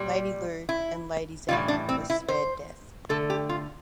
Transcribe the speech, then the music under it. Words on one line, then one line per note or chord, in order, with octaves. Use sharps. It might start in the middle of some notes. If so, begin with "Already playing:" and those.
Lady Liu and Lady Zhen were spared death.
Already playing: A#2 G3
E4
A2 E3 G3 F4
D4
C4
E4
C5
D3 A3 A4
G4
F4